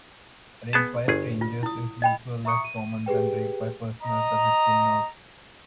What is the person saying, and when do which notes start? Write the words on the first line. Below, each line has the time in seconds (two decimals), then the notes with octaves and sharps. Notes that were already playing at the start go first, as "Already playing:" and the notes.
Rape by strangers is usually less common than rape by persons the victim knows.
0.73 B3 G#4 A5
1.08 G1 G4 G#4
1.41 F4
1.63 E4 D#6
2.02 D#5 G5 B5
2.45 E5 A#5 C#6 D#6 C#7
2.64 D#7
3.06 G4 G#4 B4 G5
4.02 D#5 A#5